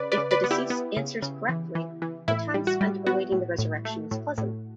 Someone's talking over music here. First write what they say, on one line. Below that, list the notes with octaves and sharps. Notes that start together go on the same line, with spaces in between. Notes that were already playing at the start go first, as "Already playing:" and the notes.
If the deceased answers correctly, the time spent awaiting the resurrection is pleasant.
Already playing: C#3 B4 D5
B4 D5
C#3
B4 D5
B3
E4 G4
B3
C#3
C#3
E3
E3
E3
A2 E4
G3
F#4
G3
B3 F#4
A2
A2
A3
A2
A2